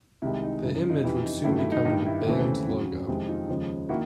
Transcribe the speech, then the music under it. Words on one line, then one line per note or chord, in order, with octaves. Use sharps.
The image would soon become the band's logo.
C2 C3 D#3 G#3 E4
D#4
G1 F#2 C#3 E4
D#4 F4
F2 C3 E3 E4
D#4
G2 D#3 F#3 A3 E4
E4
D#4
G2 D#3 G3 D#4
E4
D#2 C#3 E3 A3 C4
F2 C#3 F#3
F2 C3 D#3 G#3 C4 E4
D#4 F4
D#2 C#3 F3 G#3
D#3 A#3 E4 F#4